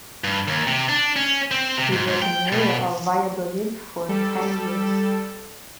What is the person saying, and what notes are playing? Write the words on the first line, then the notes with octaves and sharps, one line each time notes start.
He was mayor of Valladolid for ten years.
G2
D#2
C3
D4
C#4
C4
C3
G#2
G#2
G5
B2
G3 A4